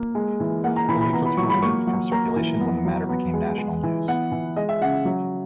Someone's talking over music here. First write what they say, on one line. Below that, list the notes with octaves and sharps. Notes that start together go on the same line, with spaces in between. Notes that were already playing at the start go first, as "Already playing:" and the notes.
The leaflets were removed from circulation when the matter became national news.
Already playing: A#3
G#3
E3
A#3 F#5
A#5
E3 B5
B5
B3 A#5
B5
F#3 C#6
B5
A#3 C#6
F#3
A#3 A#5
E3
B3
F#3
B3
G#3
G#3
E3
B3 F#5
E3
G#3 D#5
E5
C#3 F#5
F#3